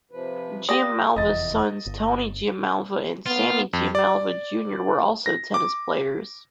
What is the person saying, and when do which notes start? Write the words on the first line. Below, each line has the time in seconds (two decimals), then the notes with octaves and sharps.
Giammalva's sons, Tony Giammalva and Sammy Giammalva, Junior were also tennis players.
0.11 C3 F3 B4
0.69 A#3 F4 G4 G#4 D5 G5 D#6 A#6
1.16 F1 E2 D#5 A6
1.86 G1
3.26 B3 F4
3.73 F2
3.95 D5
5.26 A#6
5.54 D6